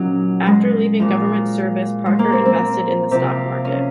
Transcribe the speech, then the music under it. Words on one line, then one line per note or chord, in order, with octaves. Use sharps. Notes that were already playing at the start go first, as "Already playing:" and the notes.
After leaving government service, Parker invested in the stock market.
Already playing: A#2 F3 F#3 C#4 D#4 F#4
G#3
A#2 F3
G#3
A#3
C4
C4
C3 F3
C#4